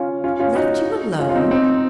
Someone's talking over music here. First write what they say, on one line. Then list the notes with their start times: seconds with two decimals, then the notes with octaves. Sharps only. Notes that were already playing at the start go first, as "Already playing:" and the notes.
Left you alone?'
Already playing: C#4 F4
0.24 C#4 F4
0.40 C#4 F4
0.55 D#4 F#4
1.19 C#4 F4
1.29 F4
1.35 C4 D#4
1.51 C4 D#4